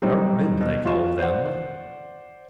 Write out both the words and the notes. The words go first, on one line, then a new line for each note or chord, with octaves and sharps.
Dark men they call them.
F#3 G3 C4 D#4 F#4 C5
B2
F3 F4 F#4 C#6 E7
C5 D5 F#5